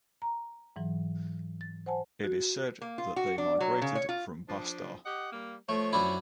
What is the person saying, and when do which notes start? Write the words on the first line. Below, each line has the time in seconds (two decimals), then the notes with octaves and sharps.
It is said that they migrated from Bastar.
0.22 A#5
0.76 G#2 E3 F#3
1.61 A6
1.86 C5 F#5 G#5 A5
2.24 F#4
2.82 A#3
2.98 F4
3.16 F#4
3.38 D4
3.60 F#3
3.82 C#3
3.95 C#5
4.09 F4
4.48 F3 D4
5.06 G4 D#5 F#5
5.32 G3 A#3
5.69 F3 A3 C#5
5.93 F#2 D4 E4